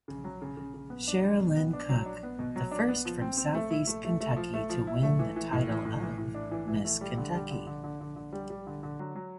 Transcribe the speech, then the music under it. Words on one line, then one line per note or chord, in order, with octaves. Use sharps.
Chera-Lyn Cook, the first from Southeast Kentucky to win the title of Miss Kentucky.
C#3
F#3
C#3
C#3
C#3
B3
D4
D4
B2
B3
D4
F#3
D4
B3
B2
F#3
D4
B3
F3
C4
C4
A3
E4
A3
A3
A3
F3
A3
F3
E4
A3
E3
E3
A2
E3
A2
E3
A2
D4
E3
E3
A3
G3
D3
G3
D3
D3
D3
D3
D3
G3
G3
D3
D3
F#3
F#3